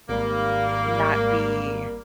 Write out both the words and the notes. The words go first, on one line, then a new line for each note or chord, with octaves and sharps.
not be
G#1 G3 A#3